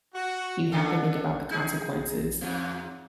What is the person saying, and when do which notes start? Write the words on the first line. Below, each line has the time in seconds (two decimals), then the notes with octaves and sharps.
you have to think about the consequences,
0.15 F#4
0.72 C#3 D4 A4
1.50 D#4 G#4
2.41 E2 G#2